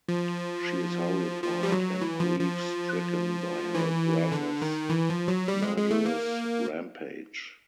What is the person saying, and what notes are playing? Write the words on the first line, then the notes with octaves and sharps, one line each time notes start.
She is horrified and grief-stricken by her brothers' murderous rampage.
F3
F3
G3
F#3
E3
F3
F3
E3
D3
D#3
E3
F3
F#3
G3
G#3
G#3
A3
A#3